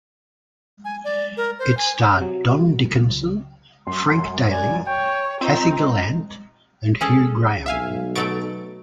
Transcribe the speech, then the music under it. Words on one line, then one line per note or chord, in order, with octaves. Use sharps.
It starred Don Dickenson, Frank Daley, Kathy Gallant and Hugh Graham.
G#5
D5
A#4
C5
G#5
C3 F#3
C#2
F#2 C6
D5 G#5
C#5 G5
C4 D#4 F4
C#4 G#4 A4
B1 E5 F5 G#5
B2 F#3 A3 C#6 A6 D7